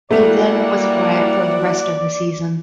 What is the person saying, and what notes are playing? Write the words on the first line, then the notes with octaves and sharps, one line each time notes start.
He then was quiet for the rest of the season.
G3 A3 A#3 E4 F#4 D5 F#5